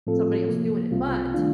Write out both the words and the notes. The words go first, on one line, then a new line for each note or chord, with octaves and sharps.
somebody else doing it, but
A2 F3 C4 F4 A4
C3 F3 A#3
C2 C3 G3 C4 F4
D#3 A3 D4 F4